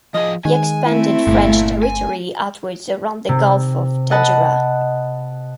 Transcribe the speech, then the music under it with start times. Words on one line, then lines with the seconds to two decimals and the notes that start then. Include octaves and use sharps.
He expanded French territory outwards around the Gulf of Tadjoura.
0.14 F3 G#4 D#5
0.45 D#3 G#3 G#5
0.86 A3 C4 E4
1.27 G1 A#2
1.83 G#5
3.29 C3
4.11 D#5 F#5 A5 B5